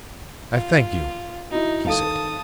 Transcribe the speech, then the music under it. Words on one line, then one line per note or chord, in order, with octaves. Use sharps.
"I thank you," he said.
F4
D#4 E4 F#4
D#3 A4 F5 A5 D#6